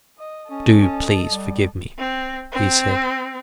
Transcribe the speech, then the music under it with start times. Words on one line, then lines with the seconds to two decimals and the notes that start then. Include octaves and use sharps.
"Do please forgive me," he said.
0.18 D#5
0.51 C#4 A4 D#5
0.82 C#4
1.27 G3
1.99 C4
2.53 C4